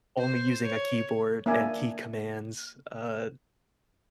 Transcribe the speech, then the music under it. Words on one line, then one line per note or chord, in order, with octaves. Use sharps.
only using a keyboard, and key commands, uh,
C5
C#5
A#3 D4 D5 E5 G#5